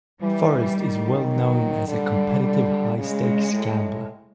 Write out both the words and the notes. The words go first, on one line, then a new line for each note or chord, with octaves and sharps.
Forrest is well known as a competitive high-stakes gambler.
E3 G3
D#3
F#3
D3 G3
D3
C#3 G#3
A2